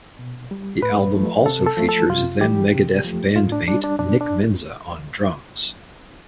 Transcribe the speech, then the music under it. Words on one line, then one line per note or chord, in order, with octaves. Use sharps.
The album also features then-Megadeth bandmate Nick Menza on drums.
B2
G3
A2 B4
F3 A3
C3 A4
A4
F3 A3
A4
C3 F4
E3 G3 G4
C3
F3 A3
A2 F4
D4
G3 D4
D4
B2 D4
D4